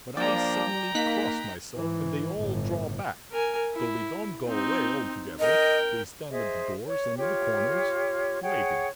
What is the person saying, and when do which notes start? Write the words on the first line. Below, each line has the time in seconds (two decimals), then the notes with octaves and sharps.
But I suddenly cross myself and they all draw back, though they don't go away altogether, they stand at the doors and in the corners, waiting.
0.17 F3 A#3 D4 D5 G5 A#5
0.95 A#3 D#4 F#6 B6
1.74 G#2 E3
2.36 G1 A2
3.31 A#4 G#5
3.74 E4
4.46 C4 D#4
5.39 A#4 D#5 G5
6.31 G#4 C5 D#5 E5
6.85 C#5
7.17 F4 G4 C#5
8.42 G#4 C#5 F#5 G5